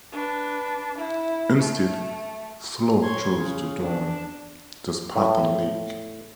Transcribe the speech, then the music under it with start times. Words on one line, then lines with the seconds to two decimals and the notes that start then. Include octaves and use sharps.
Instead Slough chose to join the Spartan League.
0.12 D4 B4
0.97 E4
1.59 A3
3.02 C#5 C6 G#6
3.34 C#3
3.81 D4
5.16 A2